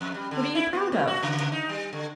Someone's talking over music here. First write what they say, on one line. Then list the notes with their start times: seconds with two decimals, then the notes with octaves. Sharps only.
What are you proud of?
0.01 F2
0.14 G3
0.31 D3
0.55 E4
0.73 B3
0.92 G2
1.07 F#4
1.23 C#3
1.40 C#3
1.52 D#4
1.69 G3
1.93 D3